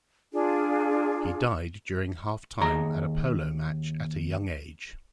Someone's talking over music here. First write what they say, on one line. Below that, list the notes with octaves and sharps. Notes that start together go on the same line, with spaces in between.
He died during half time at a polo match at a young age.
D4 F4 G#4
D#2 G#4 A#5